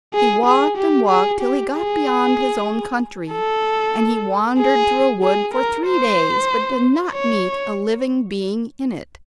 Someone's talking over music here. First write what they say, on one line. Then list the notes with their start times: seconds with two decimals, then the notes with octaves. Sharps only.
He walked and walked till he got beyond his own country, and he wandered through a wood for three days but did not meet a living being in it.
0.14 G#4
0.46 G#4
0.78 G4
1.09 G#4
1.41 G4
1.73 G#4
3.32 A4
4.59 G#4
5.23 G#4
5.55 A#4
5.87 C5
7.14 C#5